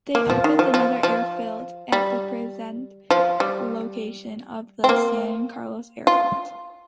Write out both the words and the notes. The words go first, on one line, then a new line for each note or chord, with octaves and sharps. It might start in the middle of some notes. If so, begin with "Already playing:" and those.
They opened another airfield at the present location of the San Carlos airport.
A#3
F3
D#3
F3
F3
F3
G3
F3
G3
C4
A#3
F4